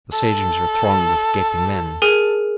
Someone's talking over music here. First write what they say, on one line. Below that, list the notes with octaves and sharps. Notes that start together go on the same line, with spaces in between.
The stagings were thronged with gaping men.
A4
G#4 A#4 G#5